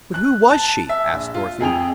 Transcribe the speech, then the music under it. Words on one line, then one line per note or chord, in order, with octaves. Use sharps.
"But who was she?" asked Dorothy.
F#6
A5
E5
A#1
F4
F2 G#4 G5 F7